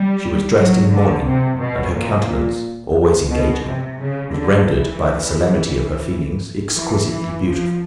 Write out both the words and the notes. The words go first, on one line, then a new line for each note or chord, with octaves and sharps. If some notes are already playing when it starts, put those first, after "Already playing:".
She was dressed in mourning, and her countenance, always engaging, was rendered, by the solemnity of her feelings, exquisitely beautiful.
Already playing: G3
F#3
D3
C3
B2
A#2
B2
C3
C#3
D3
E3
E3
E3
F3